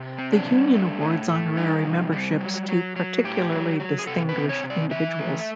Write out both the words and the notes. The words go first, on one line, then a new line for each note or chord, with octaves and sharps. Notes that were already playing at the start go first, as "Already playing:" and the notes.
The Union awards honorary memberships to particularly distinguished individuals.
Already playing: C3
C4
D4
G3
A3
A2
A3
G3 D#4
C3
G3
F#3
F#3
F#3
A2 G4
F#3
F#3
G#4
C3 A4
B4
C4
C#5
C3
D5
E3 E5
A3